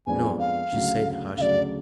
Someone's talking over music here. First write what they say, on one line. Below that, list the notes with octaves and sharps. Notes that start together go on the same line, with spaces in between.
"No!" she said harshly.
F2 F3 G#3 B3 D4 G#5
F5
D2 C#3 F#3
D2 C#3 F#3 D5 F5